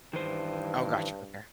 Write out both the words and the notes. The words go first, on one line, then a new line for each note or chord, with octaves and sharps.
Oh, gotcha, okay.
G2 D#3 E3 C5